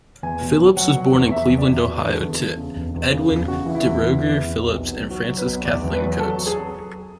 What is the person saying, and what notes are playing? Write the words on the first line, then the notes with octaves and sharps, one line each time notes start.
Phillips was born in Cleveland, Ohio, to Edwin Deroger Phillips and Frances Kathleen Coates.
E2 G#5
B2
F#3
F#3 F#5
F#3
E2
E2 E5
E2
D5
E2
E2 F#4
D3
G#4
A4
E2
E2
C#3
E1
E2
C#3
E1
C#3 F#4
E3
E4
E2
E3
E2
E2
B1
B1
F#3
F#3 F#4
F#3
B4
B1
E2 D5
E2
B4
F#3
F#3 A4
F#3
G#4